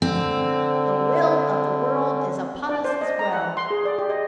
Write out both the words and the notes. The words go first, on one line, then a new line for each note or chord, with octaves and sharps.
The will of the world is upon us as well.
D3 C4
D5
C5
D#5
A#5
F#5
C6
G#4
D5
G4
D#5